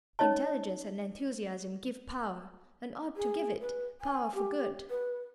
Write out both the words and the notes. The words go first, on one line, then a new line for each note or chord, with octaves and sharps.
Intelligence and enthusiasm give power, and ought to give it--power for good.
C#4 D#4 C#5 D#5 A5
G#4
B4
G#5
G4
B4